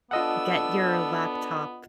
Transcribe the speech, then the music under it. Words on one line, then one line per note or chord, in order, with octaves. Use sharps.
get your laptop
B3 D4 F4 A4 D#5 F#5 E6